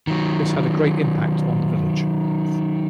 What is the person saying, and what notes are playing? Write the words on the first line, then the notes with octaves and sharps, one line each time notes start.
This had a great impact on the village.
D#3 F#3